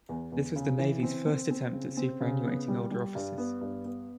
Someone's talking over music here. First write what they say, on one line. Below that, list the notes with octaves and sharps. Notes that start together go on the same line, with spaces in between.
This was the Navy's first attempt at superannuating older officers.
E2
E2
C#3
E3
C4
C4
C4
C#3
C4
C#3
B3
G3
G3
G2
B3
G2
B3